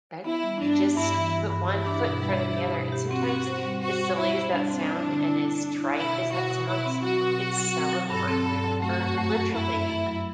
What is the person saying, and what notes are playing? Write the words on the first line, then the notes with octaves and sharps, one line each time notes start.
that you just put one foot in front of the other. And sometimes as silly as that sound and as trite as that sounds, it's so important to remember literally
B3 E4
G3
G2 D4
B3
G2 E4
E3
G2
G2
E4 G4
D4
B2
G3
D4
G4
B2
G4
C4 F#4
C4
C5
G3
F#4 C5
G3
G3 E4
C5
G3 D4
C4
E4
D3
E4
D3
E4
E4
B2 E4
B2
B2 F#4
B2
B2 E4
C4
F#3 F#4
B2
F#3
F#3
C4
F#3
G2 A4
C4
G2
F#3
A3 F#4
F#2
A3
F#2
A3 E4
A3
F#2
F#3